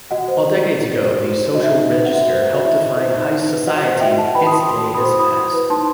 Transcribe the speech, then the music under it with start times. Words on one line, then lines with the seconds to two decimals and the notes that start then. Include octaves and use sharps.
While decades ago the "Social Register" helped define high society, its day has passed.
0.11 F#4 D#5 F#5
0.28 C5
0.45 F#4
0.62 E4
0.79 E4
0.96 C5
1.13 F#4
1.30 C5
1.47 F#4
1.55 D#5
1.63 D#4 E5
1.80 D#4
1.97 B4
2.06 F#5
2.14 F#4 E5
2.32 C5
2.48 F#4
2.54 D#5
2.65 E4 E5
2.82 E4
2.99 C5
3.16 D#4
3.33 D#4
3.49 B4
3.67 F#4 D#5 F#5
3.84 C5 D#5 F#5
4.00 F#4 E5 G5
4.17 E4 F#5 A5
4.35 B4 G5 B5
4.47 D#6
4.52 E4 A5 C6
4.69 F#4
4.84 F#4 C6
4.94 B5 D#6
5.02 C5
5.19 E4 B5 D#6
5.37 E4
5.53 B4
5.70 D#4 A5 C6